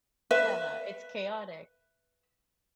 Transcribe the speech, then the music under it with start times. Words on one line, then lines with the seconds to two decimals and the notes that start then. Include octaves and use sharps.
yeah, it's chaotic,
0.31 B4 E5